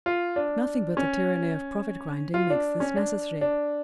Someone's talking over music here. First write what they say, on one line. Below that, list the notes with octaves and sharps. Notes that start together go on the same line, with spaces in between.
Nothing but the tyranny of profit-grinding makes this necessary.
F4
D4
C#4
F4
D4
C#4
D4
D4